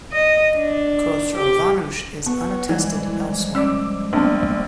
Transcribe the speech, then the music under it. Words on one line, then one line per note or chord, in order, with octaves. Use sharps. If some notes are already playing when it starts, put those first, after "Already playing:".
Khosrovanush is unattested elsewhere.
D#5
D4
G4
B3 B4 F#5 C#6
E3 F3 G3 G#3
C#4 D5 D6 E6
A#1 B3 C4 D4